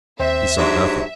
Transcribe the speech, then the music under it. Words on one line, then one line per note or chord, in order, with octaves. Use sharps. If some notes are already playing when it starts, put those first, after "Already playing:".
He saw nothing.
D#2 C4 E5
G#2 F#3 G3 D4